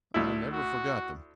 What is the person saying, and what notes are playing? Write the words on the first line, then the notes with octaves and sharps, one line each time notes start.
I never forgot them.
D2 E4
F#4